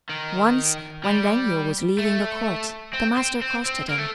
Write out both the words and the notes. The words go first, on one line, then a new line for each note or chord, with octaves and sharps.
Once when Yen Yu was leaving the Court, the Master accosted him.
D#3
G3
A3
C4
C4
C4
C4
A#3
A3